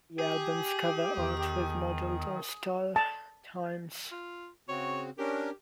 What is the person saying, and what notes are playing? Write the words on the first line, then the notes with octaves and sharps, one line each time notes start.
The album's cover art was modeled on "Star Time"'s.
G4 G#4
E2 D#3
A5
F4
C#3 C4 F#4 C#5
C#4 D4 G4 A#4